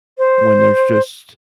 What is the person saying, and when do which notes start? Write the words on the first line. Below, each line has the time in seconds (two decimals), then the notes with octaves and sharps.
when there's just
0.17 C5